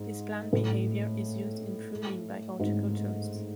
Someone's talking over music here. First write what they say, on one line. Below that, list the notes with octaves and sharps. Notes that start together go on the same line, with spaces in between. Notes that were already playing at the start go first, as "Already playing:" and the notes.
This plant behavior is used in pruning by horticulturists.
Already playing: G#2
A2
G#2